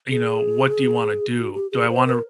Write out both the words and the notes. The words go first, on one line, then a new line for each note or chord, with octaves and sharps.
you know, what do you wanna do? Do I wanna
G#4
F#4
G4
G#4
C5
A#4